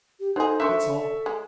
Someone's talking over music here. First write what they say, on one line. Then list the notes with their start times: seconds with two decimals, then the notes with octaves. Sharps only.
That's all.'
0.20 G4
0.36 F#3 D#4 G#4 A4 C5
0.60 D4 A#4 C5 E5 C#6
1.26 G#3